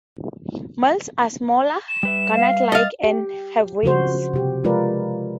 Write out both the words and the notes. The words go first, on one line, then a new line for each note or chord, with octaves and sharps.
Males are smaller, gnat-like and have wings.
E7
G3 B4 E5
F5
D#5 F5 A6
G4
C#3 F3 F#4 C5
C3 G4
F3 G#3 F4 A#4 B4 D5